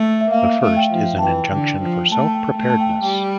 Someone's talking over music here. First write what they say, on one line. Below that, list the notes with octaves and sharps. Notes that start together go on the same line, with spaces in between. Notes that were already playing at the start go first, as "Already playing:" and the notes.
The first is an injunction for self-preparedness.
Already playing: A3 E5
E5
A#3 F5
A3
G5
F3
A5
E3 G5
D3
F3
A3 A5
A5
G5
A3
A5
G5
G3 G5